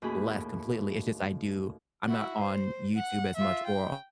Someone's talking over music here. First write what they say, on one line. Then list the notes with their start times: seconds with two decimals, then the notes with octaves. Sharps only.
left completely, it's just I do I'm not on YouTube as much or o
0.02 D#2 A2 C#4 F#4 G#4 B5
2.08 E4 F#4
2.40 C5
2.95 F#5
3.36 F4 E5
3.67 G5